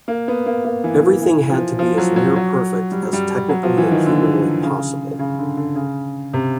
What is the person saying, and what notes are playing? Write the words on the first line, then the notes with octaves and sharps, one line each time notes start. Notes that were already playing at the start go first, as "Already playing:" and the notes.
Everything had to be as near perfect as technically and humanly possible.
A#3
B3
A#3
A#3
E3
E3
E3
F3
F3
F#3
F#3
F#3
G3
F#3
G3
F#3
F3
E3
D#3
D3
C#3
C#3
D3
D3
C#3
C3